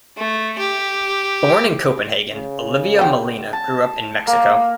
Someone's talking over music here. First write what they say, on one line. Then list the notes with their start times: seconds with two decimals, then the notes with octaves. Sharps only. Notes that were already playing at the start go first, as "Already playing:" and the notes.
Born in Copenhagen, Olivia Molina grew up in Mexico.
0.17 A3
0.58 G4
2.32 C#3
2.99 B3 G4
3.53 A5
4.27 A#3